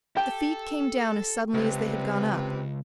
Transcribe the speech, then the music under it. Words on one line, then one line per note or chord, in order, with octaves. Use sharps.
The feet came down as suddenly as they had gone up.
G4 A4
C#2 C3 C4 B4